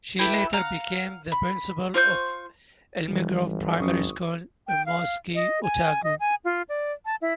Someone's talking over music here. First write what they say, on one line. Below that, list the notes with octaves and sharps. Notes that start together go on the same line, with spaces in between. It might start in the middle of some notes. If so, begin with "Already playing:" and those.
She later became the principal of Elmgrove primary school in Mosgiel, Otago.
E4 G4 A4 B4
F5 F#5 A#5
B5
F4 C5 C#6 G6
F1 E3 G3
G#1
F#2 C#6 D#6
G5
F5
D#5
G#5
D#5
G#5
F4
D5
A5
E4